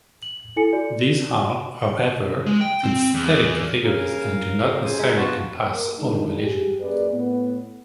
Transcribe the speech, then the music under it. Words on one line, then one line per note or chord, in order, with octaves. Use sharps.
These are, however, synthetic categories and do not necessarily encompass all religions.
F#7
E4 A4 G#5 C#7
F#4 D5
G#3
G5
C4
E2
C#3 A#4 F5
F2
C#3 C5 G#5
G#3 D#4 E5
B3 F4 F#4 A5
A#3
G2 D#3 E3 G#3 D4 D#4
G4 G#4
F#2 A#3 G#4 B4 D5
A2 B3